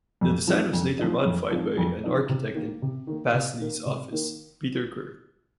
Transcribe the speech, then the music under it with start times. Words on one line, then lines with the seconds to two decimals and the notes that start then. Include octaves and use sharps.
The design was later modified by an architect in Pasley's office, Peter Kerr.
0.21 F2
0.47 F3 C4 D#4
0.73 F2
0.99 F3 C4 D#4
1.25 F2
1.51 F3 C4 D#4
1.78 F2
2.04 F3 C4 D#4
2.29 C3
2.55 D#3 A#3
2.82 C3
3.07 D#3 A#3
3.34 C3
3.60 D#3 A#3
3.86 C3
4.12 D#3 A#3